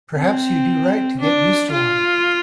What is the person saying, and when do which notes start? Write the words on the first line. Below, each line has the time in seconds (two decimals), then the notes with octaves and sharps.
Perhaps you do right to get used to one.
0.17 C4
1.19 D4
1.71 F4